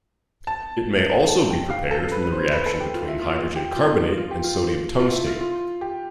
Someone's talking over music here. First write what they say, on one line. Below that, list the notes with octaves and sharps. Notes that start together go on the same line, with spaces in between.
It may also be prepared from the reaction between hydrogen carbonate and sodium tungstate.
A5
A5
G5
F5
A4
B4
B4
C5
B4
A4
G4
F4
E4
F4
G4
G4
F4
F4
G4
F4
F4
E4
F4
F4
G4